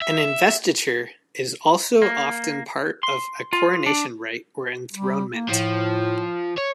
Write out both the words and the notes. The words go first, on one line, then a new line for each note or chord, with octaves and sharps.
An investiture is also often part of a coronation rite or enthronement.
E5
A#3
C6
F4
D4
G3
A#3
A2 F3
C#5